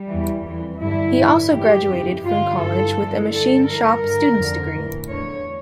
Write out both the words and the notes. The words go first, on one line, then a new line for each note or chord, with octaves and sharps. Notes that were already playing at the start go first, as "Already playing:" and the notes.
He also graduated from college with a machine shop student's degree.
Already playing: G3
E2 E3
F2 E3
G2 D3 E4
A2 E3
G2 E3 G4
F2 C#3 E3
G2 D3 F4
G2 E3 A4
G2 E3
G2 D3 A4
G2 E3 A#4
G2 D3
F2 D3
A2 E3
E2 D3 C#5